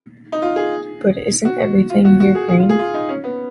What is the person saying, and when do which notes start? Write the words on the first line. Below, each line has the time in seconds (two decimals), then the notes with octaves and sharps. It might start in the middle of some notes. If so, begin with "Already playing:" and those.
But isn't everything here green?
0.32 D#4
0.42 F4
0.56 G#4
1.45 F#4
1.61 F#4
1.90 F4
2.05 F#4
2.20 F#4
2.35 G#4
2.49 G#4
2.59 F4
2.69 G#4
2.79 F4
2.94 D#4
3.09 C#4
3.24 B3